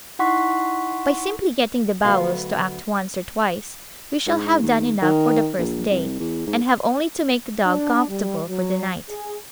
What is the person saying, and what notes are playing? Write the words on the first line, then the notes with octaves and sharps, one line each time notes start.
By simply getting the bowels to act once or twice, we shall have done enough for the first day, and have only to make the dog comfortable for the night.
D#4 E4 F#5 C6 C#6 B6
D2 F#3 B3 F#4 A4 F5
G#2
D#2
D#3
A#1
C2
E2
G#2
D4
G3
F#3
G#4